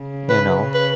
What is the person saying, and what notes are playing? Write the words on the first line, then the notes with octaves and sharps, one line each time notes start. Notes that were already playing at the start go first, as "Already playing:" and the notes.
You know?
Already playing: C#3
B4
B4